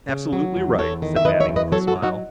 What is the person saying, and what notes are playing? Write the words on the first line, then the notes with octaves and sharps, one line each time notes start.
"Absolutely right," said Manning with a smile.
C#3
F#3
E2
E2 A4 C#5
D#3
E5
E2 B4 D#5
C#5 E5
E2
B4 D#5
F#3 A4 C#5
F#4 A4
F#3
D#4 F#4